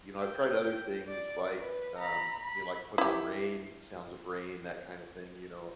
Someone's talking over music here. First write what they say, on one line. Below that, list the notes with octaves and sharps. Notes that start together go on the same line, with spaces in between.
you know, I've tried other things like, um, you know, like putting on rain, sounds of rain, that kind of thing, you know.
G5
D5
B4
A#5 B5
B5
E4 G4